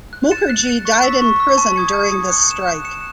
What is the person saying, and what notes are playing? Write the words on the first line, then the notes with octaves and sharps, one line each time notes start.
Mookerjee died in prison during this strike.
F#6
A6 C#7 E7
F#6
A6 C#7 E7
C#6
E6 B6
C#6
E6 B6
A5
D#6 G#6 C#7
A5
D#6 G#6 C#7
F#6
C#7 E7
F#6
C#7 E7